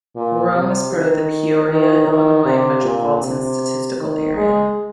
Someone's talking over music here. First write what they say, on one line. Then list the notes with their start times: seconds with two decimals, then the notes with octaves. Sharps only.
Rome is part of the Peoria, Illinois Metropolitan Statistical Area.
0.16 A#2
0.54 C3
0.92 D#3
1.69 D#3
2.07 D#3
2.45 C3
2.84 A#2
3.22 C3
3.99 D#3
4.36 G#3